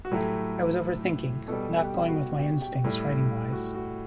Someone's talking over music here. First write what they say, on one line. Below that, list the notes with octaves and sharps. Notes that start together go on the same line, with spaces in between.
I was over-thinking, not going with my instincts writing-wise.
F#4
A2 F#3 A3 G4
B2 G3 A4
G4
F#4
G4
G4
G4
A2 G3
F#4
F#4